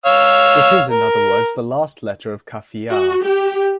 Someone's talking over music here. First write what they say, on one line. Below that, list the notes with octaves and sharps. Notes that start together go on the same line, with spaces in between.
It is in other words the last letter of Qaafiyaa.
C#5 F5 E6
A#4
F#4
G4